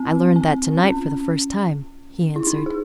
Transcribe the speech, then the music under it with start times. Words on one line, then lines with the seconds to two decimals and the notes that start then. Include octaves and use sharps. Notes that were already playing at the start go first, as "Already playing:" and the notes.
"I learned that tonight for the first time," he answered.
Already playing: C4
0.36 C4
0.78 C#4
2.36 E4
2.47 D#4
2.66 G#4